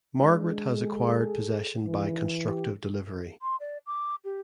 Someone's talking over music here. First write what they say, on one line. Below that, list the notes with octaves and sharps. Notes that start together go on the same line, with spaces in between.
Margaret has acquired possession by constructive delivery.
G#3 D4
G#4 A4
C#2 D#3 E3
G4
C6
D5
D6
G4